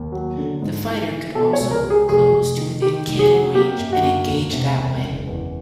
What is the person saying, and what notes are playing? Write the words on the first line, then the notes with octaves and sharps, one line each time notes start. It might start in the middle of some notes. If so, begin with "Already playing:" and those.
The fighter could also close to within cannon range and engage that way.
Already playing: D#2
F#3
D3
G#2
E3
E3
B2 A4
C#5
C#2
A#4
G3
G#4
F1 G#4
F1
D#3
D#3 G4
F1
G#4
F#3
A#3 G4
F#2
F#4
A#3
E1
C3
E1
F#1
E2